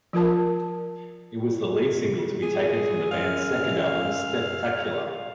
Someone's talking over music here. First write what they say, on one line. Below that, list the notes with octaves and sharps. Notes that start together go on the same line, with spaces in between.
It was the lead single to be taken from the band's second album "Steptacular".
F3 F4 A#4 A5
G#4
F#2 F5